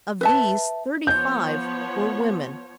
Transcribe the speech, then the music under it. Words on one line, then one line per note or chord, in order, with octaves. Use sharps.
Of these thirty-five were women.
B4 E5 A5
F3 B3 C#5 G6